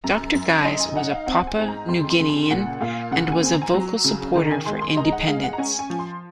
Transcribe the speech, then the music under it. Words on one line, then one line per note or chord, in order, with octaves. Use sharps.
Dr. Guise was a Papua New Guinean and was a vocal supporter for independence.
F#2 A#5
F#2
D#4 C6
G#5
D#4 F#5
F5
C4 F#5
G#5
G#2
A#5
F2 C6
C6
C#3
C6
A#2 F#5
A#2 F5
C#3 F#5
G#5
C4
A#5
G#5
F#3 A#5
C#3
D#3 A#5
G#5
G#3 C6
C6
D#4 A#5
F#5
G#3 F5
F#5
A#5
C#4 G#5
G#5
F3
C6